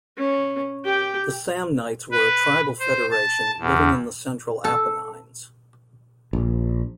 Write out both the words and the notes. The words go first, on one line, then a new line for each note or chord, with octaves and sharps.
The Samnites were a tribal federation living in the central Apennines.
C#4
G4 G5
B4
C5
A5
E2
A4
A#1